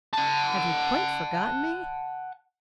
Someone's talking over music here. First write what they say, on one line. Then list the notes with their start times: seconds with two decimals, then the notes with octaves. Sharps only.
Have you quite forgotten me?
0.13 F#5 A5